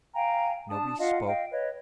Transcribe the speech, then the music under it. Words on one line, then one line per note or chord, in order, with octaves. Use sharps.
Nobody spoke.
F5 G5 G#5 A#5
D4 A5 D#6
F4 D#5 F5 F#5
D#5 F5 G5
B4 C#5 D#5